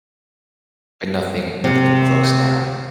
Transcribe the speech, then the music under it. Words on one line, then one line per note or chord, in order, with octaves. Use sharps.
But nothing nothing close now.
C3